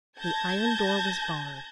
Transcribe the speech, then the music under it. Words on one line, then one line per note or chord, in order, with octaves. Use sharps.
The iron door was barred.
A5 G6 G#6 A#6